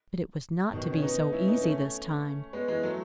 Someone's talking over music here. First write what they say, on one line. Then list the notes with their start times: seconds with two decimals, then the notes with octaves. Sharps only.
But it was not to be so easy this time.
0.73 B2 D#3
0.93 C#4
1.03 B3 D#4
1.33 C#4 E4
1.48 B3 D#4
1.63 A3 C#4
2.53 G#3 B3
2.68 E3 G#3
2.83 F#3 A3